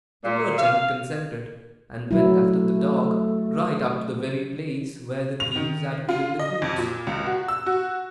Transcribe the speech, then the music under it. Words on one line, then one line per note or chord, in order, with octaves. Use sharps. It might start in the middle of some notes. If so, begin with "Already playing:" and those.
The merchant consented, and went after the dog right up to the very place where the thieves had hidden the goods.
A#2
F5
F#3 A3 E4
F7
D#3
F4
D#5
F2
A#2
C#2
F#4
E6
F#4